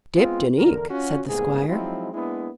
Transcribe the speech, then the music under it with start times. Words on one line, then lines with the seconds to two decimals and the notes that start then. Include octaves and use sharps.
"Dipped in ink!" said the squire.
0.16 G#3 B3 C4 F4
0.57 E2 D3 A#4
0.90 C#4 F4 F#4
1.28 C2 G#2 A#3 B3 G#4
1.68 F3 F#3 G#3 C4 D#4 E4
2.13 G#3 A#3 B3 D4 E4